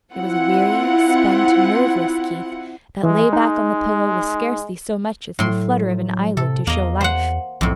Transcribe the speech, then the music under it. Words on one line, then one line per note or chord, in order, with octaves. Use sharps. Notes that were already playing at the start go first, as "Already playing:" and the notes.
It was a weary, spent, nerveless Keith that lay back on the pillow with scarcely so much as the flutter of an eyelid to show life.
C4 E4 F4 F#5
E3 G#3
D#4
A2 F#3 C6
C3 A4
E2 A#3 D#5
C5 F#5
B1 F2 A2